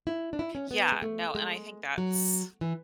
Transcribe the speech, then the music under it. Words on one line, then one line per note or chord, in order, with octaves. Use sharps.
Yeah, no, and I think that's
E4
D4
E4
C#4
B3
G#3
A3
G#3
F#3
E3